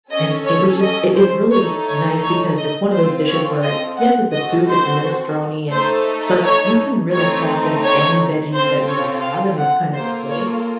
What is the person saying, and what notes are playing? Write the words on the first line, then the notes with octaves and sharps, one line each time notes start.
and it was just it it's really nice because it's one of those dishes where, yes, it's a soup, it's a minestrone, and but you can really toss in any veggies that you have, and that's kind of the point,
C#4 A4 D#5
C#5
D#5
C5
A3 D#4 A4 C#5
C#5
C#5
D#5
C4 F4 A4 C5
C#5
D#5
F#5
C4 F#4 A4 D#5
C5
A3 D#4 A4 C5
C#5
A3 C4 D#4 C#5
C#5
C4 F4 A4 C5
C#5
F5
F#5
A#3 F4 A4 C5
C#5